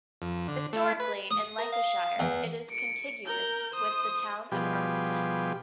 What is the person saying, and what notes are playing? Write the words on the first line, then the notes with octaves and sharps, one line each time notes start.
Historically in Lancashire, it is contiguous with the town of Urmston.
F2
D3
A3
B4
D#6
A#4
F5
E2
C#7 D7
A#4 G6
C5 D#6
B2 F3 G3 G4 G#4